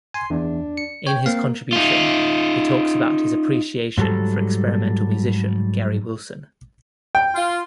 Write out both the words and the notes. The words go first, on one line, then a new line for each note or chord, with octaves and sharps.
In his contribution, he talks about his appreciation for experimental musician Gary Wilson.
G#5 C6
E2 D4
C#7
C#5 G5
A#3 C4 F5
D#4 F4
G#2 F#3 G3 A4
G5
F4